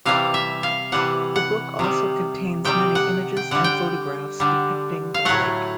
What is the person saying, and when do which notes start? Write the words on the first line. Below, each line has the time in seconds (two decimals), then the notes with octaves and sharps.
The book also contains many images and photographs depicting the lake.
0.05 C3 E3 G3 F5
0.34 E5
0.63 F5
0.92 C3 E3 G3 F#5
1.36 F#5
1.79 C3 D#3 G3
2.65 C3 D#3 G3 G5
2.95 F#5
3.37 G5
3.51 D3 G3 F#5
3.64 G5
4.40 D3 G3
5.14 F5
5.25 A2 F#3 A3 F#5